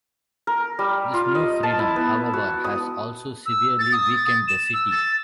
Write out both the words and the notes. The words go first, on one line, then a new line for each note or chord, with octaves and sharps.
This new freedom, however, has also severely weakened the city.
A#4
G3
F4
D#5
A5
E4
B3
F#4
D#6
E6
A6
D#6
A6
E7
E6
A6